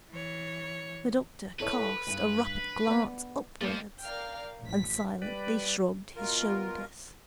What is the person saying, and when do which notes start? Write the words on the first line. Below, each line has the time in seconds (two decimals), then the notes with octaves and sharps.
The doctor cast a rapid glance upwards and silently shrugged his shoulders.
0.10 E3 C#5
1.60 E4 A4 B4 C#5
2.07 D2 G2
2.87 B3 D5
3.61 F3 A#3 C4
4.02 A#4 D5 F5 G5 F6
4.62 A1 F3 B6
5.22 G3 B4 D5
6.16 B2 F4 A#4